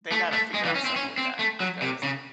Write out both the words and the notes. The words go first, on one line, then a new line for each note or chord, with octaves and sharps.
they gotta figure out something with that because
A3
A3
G#3
E3
C#4
C4
C#4
C4
A3
F#3
C3
C#3